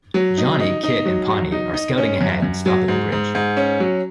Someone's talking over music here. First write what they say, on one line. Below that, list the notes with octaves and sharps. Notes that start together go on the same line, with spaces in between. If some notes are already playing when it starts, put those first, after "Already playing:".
Johnny, Kit and Pawnee are scouting ahead and stop at the bridge.
F#3
D#4
D#4
D#4
F#3
F#3
D#4
D#4
C#4
F#2
F#2
F#3
G#2
G#2
G#2
C#4
F#3